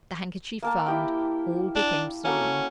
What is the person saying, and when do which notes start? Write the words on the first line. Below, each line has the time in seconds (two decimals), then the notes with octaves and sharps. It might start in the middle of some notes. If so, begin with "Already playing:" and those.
The handkerchief found, all became serene.
0.62 A#3 A#4 A5
0.86 E4 G4 G5
1.76 D4
2.25 A#3 C#4 F#4 A4